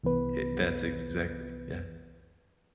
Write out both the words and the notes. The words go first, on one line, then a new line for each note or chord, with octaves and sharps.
It that's exactly Yeah.
C2 E3 B3 B4